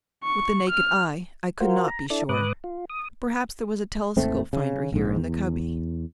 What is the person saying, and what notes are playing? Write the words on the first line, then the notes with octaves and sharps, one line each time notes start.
With the naked eye, I could not be sure. Perhaps there was a telescope finder here in the cubby....
C#6
F6
F4 F#4 A#4 C5
A#5
D4 E4 A4 D5
G#2 B4 D6 D#6 F#6
F4
D#6
G#1 D#2 A3 C4
C#3
A#1 G#2
E2